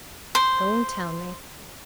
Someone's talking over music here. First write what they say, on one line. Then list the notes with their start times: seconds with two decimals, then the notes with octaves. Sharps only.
Don't tell me.
0.35 C5